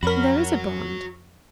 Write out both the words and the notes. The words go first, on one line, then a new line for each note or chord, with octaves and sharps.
"There is a bond."
F2 F#4 A#4 C#5 B5